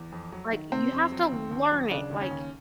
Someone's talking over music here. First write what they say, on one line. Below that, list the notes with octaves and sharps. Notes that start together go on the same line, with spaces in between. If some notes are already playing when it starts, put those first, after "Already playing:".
Like, you have to learn it, like,
Already playing: E2
F2
F#3
D#3
C3 C4
F2
F#3
D#2
D#2
F#3
C#3 D4
D#2
C#4
D#2